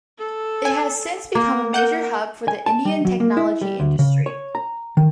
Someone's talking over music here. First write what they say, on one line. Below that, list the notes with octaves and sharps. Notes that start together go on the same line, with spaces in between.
It has since become a major hub for the Indian technology industry.
A4
G#5
A#3 A#4
A#4 F#5 G6
G#5
A5
G3
F#3
A#3
E4
G3
D2
C#3
C#5
A#5
D#3